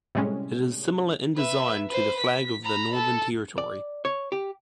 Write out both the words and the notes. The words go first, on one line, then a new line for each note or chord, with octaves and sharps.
It is similar in design to the flag of the Northern Territory.
A2 C3 G3 G#3 C#4
B4 E5
B4 C5
B6
A#5 B5
A4
D5
C#5
G4